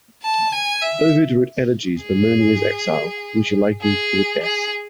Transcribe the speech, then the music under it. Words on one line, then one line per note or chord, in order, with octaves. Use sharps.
Ovid wrote elegies bemoaning his exile, which he likened to a death.
A5
G#5
E5
G#4
G#4
G#4